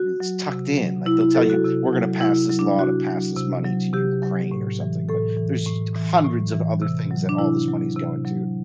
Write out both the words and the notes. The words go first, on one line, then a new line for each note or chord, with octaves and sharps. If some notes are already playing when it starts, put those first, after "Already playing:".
It's tucked in like they'll tell you we're going to pass this law to pass this money to Ukraine or something, but there's us hundreds of other things that all this money is going to,
Already playing: F#4
F#3
C3
F#3
C3 E4
E4
F#3 A4
F#4
C3
F#3
C3 E4
F#3
D4
C3 F#4
F#3
C3
F#3
C3 G4
F#3
A2
E3
A2 A4
E3
A2
E3
A2
E3
C3
F#3
D4
C3 E4
F#3
C3
F#3